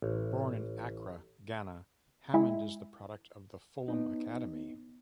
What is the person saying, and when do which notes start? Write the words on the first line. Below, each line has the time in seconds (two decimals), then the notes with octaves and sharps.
Born in Accra, Ghana, Hammond is a product of the Fulham Academy.
0.02 A1
2.34 G#3 E4
3.88 B3 D#4